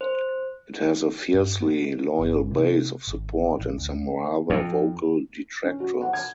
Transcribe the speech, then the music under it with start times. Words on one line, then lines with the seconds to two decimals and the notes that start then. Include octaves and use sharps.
It has a fiercely loyal base of support and some rather vocal detractors.
0.01 C5
1.34 G2
1.61 B3
2.19 G1
2.51 C3
3.08 G#1
3.59 A1
3.78 D2
4.50 F2
5.64 C#4
5.80 F#4
6.02 F#5
6.13 G#6